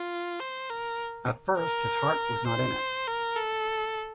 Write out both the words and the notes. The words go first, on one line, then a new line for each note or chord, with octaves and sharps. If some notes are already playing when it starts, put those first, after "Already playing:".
At first, his heart was not in it.
Already playing: F4
C5
A#4
A#4
C5
A#4
A4